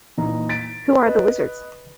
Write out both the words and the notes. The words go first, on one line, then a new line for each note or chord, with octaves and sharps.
Who are the Wizards?
A#2 E3 D#4 A#5
A6 B6 D7
B4 D#5